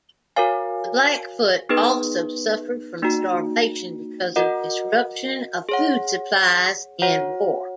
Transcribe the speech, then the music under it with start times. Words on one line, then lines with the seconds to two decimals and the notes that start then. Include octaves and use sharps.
The Blackfoot also suffered from starvation because of disruption of food supplies and war.
0.36 F#4 A#4 C#5 F5 G#5
1.69 B3 D#4 G#4 B4
3.02 A#3 D#4 F#4
4.36 F#4 A#4 D#5 F#5
5.69 G#4 C#5 F#5
7.02 F#4 C#5 F#5